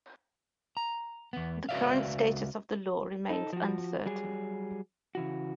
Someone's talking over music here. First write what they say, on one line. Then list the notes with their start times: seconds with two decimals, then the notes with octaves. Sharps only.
The current status of the law remains uncertain.
0.77 A#5
1.33 E2 B3
1.69 C#2 F#4 B4 D5 E5 F5
3.30 D#4 A4
3.53 F3 F#4
4.06 F#3 G3 G#4
5.15 C#3 E3 F#4